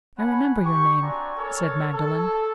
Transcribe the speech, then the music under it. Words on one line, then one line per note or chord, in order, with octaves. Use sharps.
"I remember your name," said Magdalen.
C#5 F#5 G#5 A5 B5
G4 C#6
C4 D4 F#4 D5 G#5 A#5
A4 A#4 C#5
A4